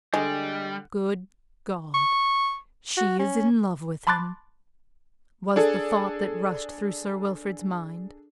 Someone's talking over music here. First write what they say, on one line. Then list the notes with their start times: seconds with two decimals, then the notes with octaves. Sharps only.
"Good God! she is in love with him!" was the thought that rushed through Sir Wilfrid's mind.
0.14 D3 G3 G#3
1.94 C#6
2.97 F#4
3.19 C#4
4.07 A5 B5 C6 D6 F#6 A6
5.56 D4 G#4 A4